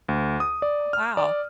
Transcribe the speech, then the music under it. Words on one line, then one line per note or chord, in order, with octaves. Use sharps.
Oh, wow.
D2
D#6
D5
F6
D5